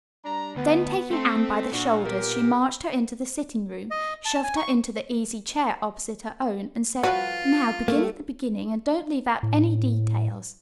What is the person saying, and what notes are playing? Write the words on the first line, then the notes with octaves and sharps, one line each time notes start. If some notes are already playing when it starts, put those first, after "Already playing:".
Then taking Anne by the shoulders she marched her into the sitting room, shoved her into the easy-chair opposite her own and said, "Now, begin at the beginning, and don't leave out any details."
G3 D4 A#5
D2 B3
A3 C4 A4
A#2 D4 F#4
B3 G4 A#4
D#5
A5
G#5
C#6
F3 F4 F#4 B4
A3 A#3
A2